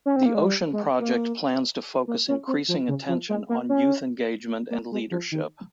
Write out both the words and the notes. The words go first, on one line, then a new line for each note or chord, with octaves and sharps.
The Ocean Project plans to focus increasing attention on youth engagement and -leadership.
C#4
C4
A#3
G#3
G3
G#3
A#3
A#3
C#4
C4
F3
C#3
F3
G#3
A#3
C#4
A#3
G#3
F3
D#3